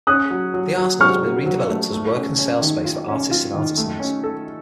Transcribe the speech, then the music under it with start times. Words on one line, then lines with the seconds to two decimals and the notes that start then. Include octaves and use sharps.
The arsenal has been redeveloped as work and sales space for artists and artisans.
0.07 C#4 D#6 F#6
0.30 F#3
0.54 F#3
0.77 F#3
1.01 F#3 C#6 F6
1.22 F#3
1.46 F#3
1.69 A3
1.93 A3
2.16 C#4
2.39 C#4
2.61 D#3
2.85 F4
3.08 C#4
3.31 F4
3.54 D#3
3.77 A3
4.00 C#4
4.24 A4